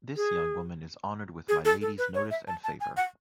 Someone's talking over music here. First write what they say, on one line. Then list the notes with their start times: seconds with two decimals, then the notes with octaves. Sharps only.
This young woman is honoured with my Lady's notice and favour.
0.16 G#4
1.48 G#4
1.65 A4
1.81 A4
1.98 B4
2.14 C#5
2.31 E5
2.47 A5
2.64 A5
2.81 G#5
2.97 F#5